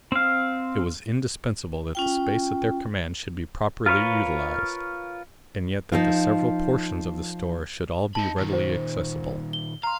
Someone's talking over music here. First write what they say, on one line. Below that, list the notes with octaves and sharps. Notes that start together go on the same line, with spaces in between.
It was indispensable that the space at their command should be properly utilized, and yet that the several portions of the store should all be readily accessible.
C4 F5
C#4 F4 G5
F4 A#4 B4 C#5 F5
F3 D#4 F4
D#4 A5 B5
A#2 D#3
C5
G7
F5 A#5 C6